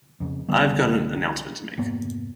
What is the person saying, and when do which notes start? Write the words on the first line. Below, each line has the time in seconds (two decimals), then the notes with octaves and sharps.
Iâve got an announcement to make.
0.20 F2 C#3
0.48 C#2 D3 G3 B3
1.78 F1 G#2 A#3 B3